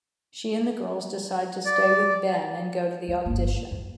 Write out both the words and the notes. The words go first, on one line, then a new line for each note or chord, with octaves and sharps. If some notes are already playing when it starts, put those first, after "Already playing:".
She and the girls decide to stay with Ben and go to the audition.
D5
F#3 G3
G1 A#3
A2
F#2